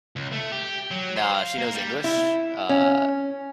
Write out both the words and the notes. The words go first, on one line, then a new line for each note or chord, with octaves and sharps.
nah, she knows English. Uh,
C#2
A3
G4
F#3
C5
F5
A#3
G3
E4
C#4